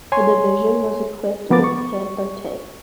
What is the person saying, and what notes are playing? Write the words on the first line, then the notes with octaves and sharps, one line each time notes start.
The division was equipped with Panther tanks.
C#5 G#5 C6
F3 B3 A#4 D6 A6
C#6